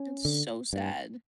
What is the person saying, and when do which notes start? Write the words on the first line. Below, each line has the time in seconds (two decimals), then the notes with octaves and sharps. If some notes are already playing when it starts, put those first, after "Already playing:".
It's so sad.
Already playing: C#4
0.25 D3
0.73 G2